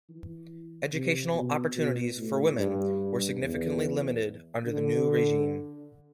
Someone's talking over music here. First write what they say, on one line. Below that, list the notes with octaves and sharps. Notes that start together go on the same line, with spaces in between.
Educational opportunities for women were significantly limited under the new regime.
E3
C3
B2
B2
A2
G2
E2
D3